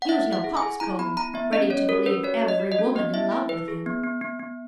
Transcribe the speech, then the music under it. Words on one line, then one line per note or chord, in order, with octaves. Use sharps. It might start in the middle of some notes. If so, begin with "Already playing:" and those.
He was no coxcomb, ready to believe every woman in love with him.
F#5
E4 E5
E4
F#5
G#4
G#5
G#4
E4 A#5
B3 B5
E4 A#5
B3 E5
C#4 D#5
C#4 C#5
F#4 A#4
C#4 B4
F#4 C#5
F#4
D#5
F#4
D#5
C#4
B3 D#5
E4 E5
E4
E4 B4
G#4
B3
B3
B3
B3